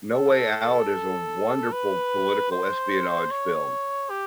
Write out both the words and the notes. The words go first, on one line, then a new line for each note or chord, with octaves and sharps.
No Way Out is a wonderful political espionage film,
A4
B4
C5
C#5
G4